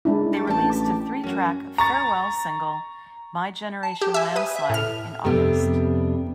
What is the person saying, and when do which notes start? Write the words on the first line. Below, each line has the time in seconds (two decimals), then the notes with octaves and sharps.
They released a three-track 'farewell' single, "My Generation Landslide" in August.
0.05 G#3 D4 E4
0.33 A5 C#6
0.47 A1 G5 A5
0.73 G4
1.24 F#2 C#4 F#4
1.78 A#5 C#6 A6
3.83 A5
4.01 G4
4.14 E5 G#5
4.36 B4 D#6
4.56 E5
4.70 A2 A4 F6
5.24 F2 C3 G3 B3 D4